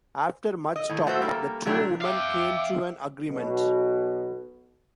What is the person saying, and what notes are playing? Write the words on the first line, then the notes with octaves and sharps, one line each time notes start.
After much talk, the two women came to an agreement.
D#5
A2 D#3
A3 F#4 C5 E5
G3 A#3 D#4 A4 A#4
C3 F#3 A3 D4 E4 G4
E5 F5 G5 D6
B1 B2